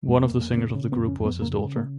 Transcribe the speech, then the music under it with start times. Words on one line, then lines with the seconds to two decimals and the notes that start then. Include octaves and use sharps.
One of the singers of the group was his daughter.
0.08 F2 G#3
0.24 A#3
0.30 F2
0.41 A#3
0.52 C#3
0.57 B3
0.75 C#3 C#4
0.92 B3
0.97 F2
1.08 C#4
1.20 F2
1.25 B3
1.41 C#3 A#3
1.58 G#3
1.64 C#3
1.76 A#3